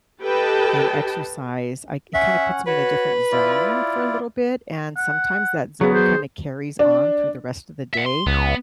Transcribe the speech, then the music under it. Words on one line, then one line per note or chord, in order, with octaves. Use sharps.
and exercise, I it kinda puts me in a different zone for a little bit, and sometimes that zone kinda carries on through the rest of the day,
G4 A4 B4 D#5 G5 A5
C#4 E5 F#5
F#4 B4 C#5
E4 F4 D5
F#5
F#3 B3 G#4
G#4 C5
D4
E5 F#5
C6
C#2 B3